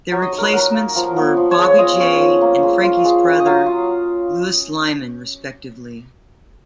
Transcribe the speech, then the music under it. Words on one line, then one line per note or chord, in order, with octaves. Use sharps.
Their replacements were Bobby Jay and Frankie's brother Lewis Lymon, respectively.
F#3 C#5
D#5
D#4 C#5
A#4 B4
F#3 A#4
A#3
F3
B3
F3
C#5
G#3
C#5
F4 D#5
C#4
F3
A#3
G#3
F4
G#3
C#4
D#5
F#3 F5
F4